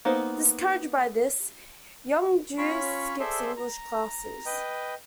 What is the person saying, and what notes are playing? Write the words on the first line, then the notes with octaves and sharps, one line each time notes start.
Discouraged by this, Young-ju skips English classes.
A#3 B3 D#4 C5
C#4 F4 C#5 B5 C#6
G#4 A4 C5 D5 E5 C6
A#5
B4 D#5 G5